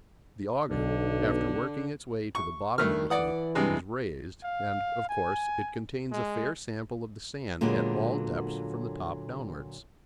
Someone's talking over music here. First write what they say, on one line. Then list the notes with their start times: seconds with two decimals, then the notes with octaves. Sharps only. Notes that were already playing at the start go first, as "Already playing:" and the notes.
The auger, after working its way to the bottom of the heap, is raised, and, of course, it contains a fair sample of the sand at all depths from the top downwards.
0.69 B1 D3
2.35 C#6
2.78 G2 D#3 A3 F6
3.10 E3 D5 F#5 D#6
3.55 G2 C3 G#3
4.43 F5
5.09 G#5
6.12 G#3
7.61 A#2 D3 F#3 G#3 A#3 B3